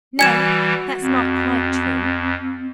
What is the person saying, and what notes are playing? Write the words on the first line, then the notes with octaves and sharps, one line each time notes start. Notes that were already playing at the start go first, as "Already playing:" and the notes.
No! that's not quite true.
E3 G3 F#4 G#5 G#6 E7
F2 C4